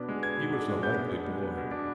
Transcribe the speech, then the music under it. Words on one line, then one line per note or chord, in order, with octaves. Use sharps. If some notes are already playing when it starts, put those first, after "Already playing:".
He was a likely boy.
Already playing: B2 B3 D4
G#3
B3 G#6
B2
D4
G#3
B3 G6
B2
D4
G#3
B3
B2
D4